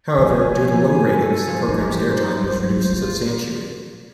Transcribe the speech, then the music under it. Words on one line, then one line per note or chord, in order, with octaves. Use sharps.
However, due to low ratings the program's airtime was reduced substantially.
F3 G#5
F#3 C#5
F3
F#3 C#5
F3
G#5
E3 G#5
A4
D#3 A4
G#5
F3 C5
D#4
F3
E3 G4
C5
D#4
C5
F#3 C5
C5
F#3 F4
E3 F4